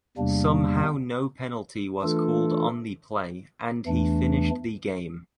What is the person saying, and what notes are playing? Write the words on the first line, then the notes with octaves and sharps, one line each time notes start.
Somehow no penalty was called on the play and he finished the game.
E2 C3 G3 A#3 D4
E3 A3 D4 F4 A4
E2 E3 A3 D4